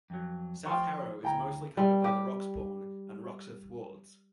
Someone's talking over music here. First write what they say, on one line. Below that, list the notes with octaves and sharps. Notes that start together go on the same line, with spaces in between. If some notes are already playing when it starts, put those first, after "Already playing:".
South Harrow is mostly covered by the Roxbourne and Roxeth wards.
F2 F#3
F3 G5 C6 C#6
D2 E4 G5 A#5
G3
G4